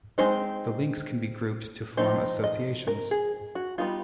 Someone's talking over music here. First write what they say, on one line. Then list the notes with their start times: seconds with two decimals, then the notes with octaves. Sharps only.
The links can be grouped to form associations.
0.18 G#3 C4 D#4 C5
1.97 F3 A3 C4 D#4 C5
2.44 D#5
2.87 A#4
3.11 G#4
3.55 F#4
3.78 G3 B3 D#4 F4